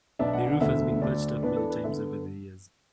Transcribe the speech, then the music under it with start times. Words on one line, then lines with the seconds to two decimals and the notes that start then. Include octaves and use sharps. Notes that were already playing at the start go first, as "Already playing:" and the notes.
The roof has been patched up many times over the years.
0.19 B1 B2 B3 D4 E5
0.33 F#5
0.47 F#5
0.60 E1 D2 D3 E5
1.02 D2 D3 A3 D5
1.43 E2 E3 B3 D4 B4
1.56 A4
1.70 B4
1.84 D3 B3 E5